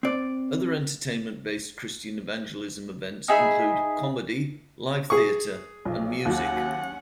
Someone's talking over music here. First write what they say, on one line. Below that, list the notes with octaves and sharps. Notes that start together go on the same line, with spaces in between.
Other entertainment-based Christian evangelism events include comedy, live theater and music.
C4 D5
D#4 G#4 E5 B5
G#4 C#6
B1 F3
D#2 F#3 C#4 F#5